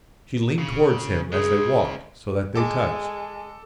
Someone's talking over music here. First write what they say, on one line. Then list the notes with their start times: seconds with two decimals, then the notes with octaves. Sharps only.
She leaned towards him as they walked so that they touched.
0.59 C#3
1.33 C#3 G#3 G#4
2.55 G#3 A4 D6